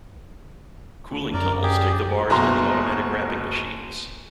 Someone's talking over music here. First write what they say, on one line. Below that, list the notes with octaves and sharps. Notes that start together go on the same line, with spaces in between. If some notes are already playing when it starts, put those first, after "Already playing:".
Cooling tunnels take the bars to the automatic wrapping machines.
D2
F#2 A#4 D5
G4 G#4 D5
F#1 B2 A#5 C6